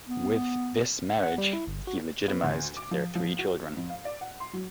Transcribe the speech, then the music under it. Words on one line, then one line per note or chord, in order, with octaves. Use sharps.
With this marriage he legitimized their three children.
B3
F#5
G3
E4
G1
F#4
B3
D2
D6
F3
F3
F#4
F2
F5
D5
F#5
C6
F#3